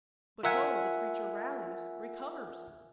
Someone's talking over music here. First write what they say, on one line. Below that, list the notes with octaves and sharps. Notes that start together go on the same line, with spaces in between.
But ho! the creature rallies--recovers!
F4 A#4 E5 F#5 G#5